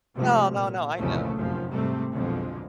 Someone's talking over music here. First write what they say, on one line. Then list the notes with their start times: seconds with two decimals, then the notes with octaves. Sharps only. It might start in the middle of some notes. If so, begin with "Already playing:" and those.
No, no, no, I know.
0.16 G2 C3 F3 G#3 A3
0.51 A#2
0.99 C2 F2 A#2 C#3 E3 A3
1.37 F1 A#1 F#2 F3
1.71 G#2 C3 G3 A3 C4
2.14 B1 F2 D3 F3 G#3